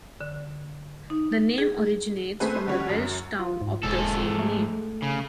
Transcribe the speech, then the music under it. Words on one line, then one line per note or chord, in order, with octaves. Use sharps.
The name originates from the Welsh town of the same name.
D3
D#4
G#4
A3 C4 G#4 B4
D3 G3 C#4 F#4
F#2
F4
G#2
E1 G#2 A4
A3
C#3